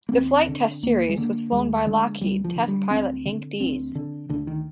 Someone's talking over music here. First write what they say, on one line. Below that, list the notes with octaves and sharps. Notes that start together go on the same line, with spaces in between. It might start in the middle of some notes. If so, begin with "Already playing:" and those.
The flight test series was flown by Lockheed test pilot Hank Dees.
A#3
D#2 C4
D3
D#2 A#3
G#3
D3 A#3
D#2 G#3
D3 G#3
D2 G3
F3
D3
G3
D2 C4
D3
D2 C4
D3
D2 D3
D#3